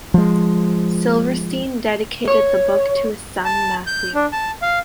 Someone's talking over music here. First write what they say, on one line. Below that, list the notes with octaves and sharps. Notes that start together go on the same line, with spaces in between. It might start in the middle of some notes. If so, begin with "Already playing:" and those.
Silverstein dedicated the book to his son, Matthew.
F3 G#3
C#5
A5
G6
D4
A5
F5